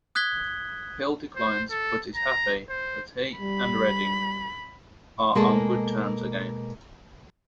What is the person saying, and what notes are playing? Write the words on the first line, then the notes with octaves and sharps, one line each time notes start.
Hill declines but is happy that he and Redding are on good terms again.
D#6 F#6 G#6 B6 G7
C5
A4
A#5
C5
G3 B5
B2 G#3 A#3 G#4 A4 A5